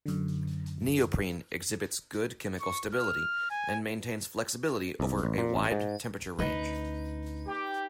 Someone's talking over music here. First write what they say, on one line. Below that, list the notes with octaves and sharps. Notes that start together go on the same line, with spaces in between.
Neoprene exhibits good chemical stability and maintains flexibility over a wide temperature range.
F#2 D3
C#6
F6
G#5
C2
A1
A#2
A1
G#2
D2 C#4 D#4 B4
G4